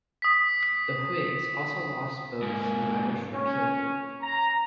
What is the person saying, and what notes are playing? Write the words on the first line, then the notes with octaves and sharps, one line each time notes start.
The Whigs also lost votes to the Irish Repeal group.
D#6 B6
G#2 A#3 G#5
C#4
A#5